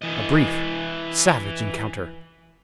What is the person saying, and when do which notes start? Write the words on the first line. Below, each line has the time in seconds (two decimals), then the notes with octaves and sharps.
A brief, savage encounter.
0.02 E3 D#5